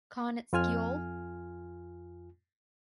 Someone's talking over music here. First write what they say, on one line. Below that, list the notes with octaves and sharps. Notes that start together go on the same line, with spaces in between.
Carnets Geol.
F2 F4 G#5 F6